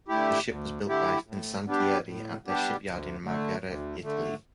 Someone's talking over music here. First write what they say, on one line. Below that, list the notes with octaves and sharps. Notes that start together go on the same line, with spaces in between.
The ship was built by Fincantieri at their shipyard in Marghera, Italy.
D3 A3 E4 G4
D2
D3 A3 E4 G4
A2
G3 B3 D4 G4
A2
G3 B3 D4 G4
D2
D3 A3
D2
D3 A3